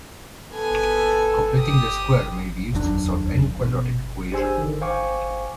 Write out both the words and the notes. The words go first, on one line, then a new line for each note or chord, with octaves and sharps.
Completing the square may be used to solve any quadratic equation.
B3 A4 G#5
G4 D#6
F1 D#2 F#3 D4
B2
D4 G4 G#4 C5 G#5 E6
D3 D#3
C5 F5 G5 G#5 C#6 D6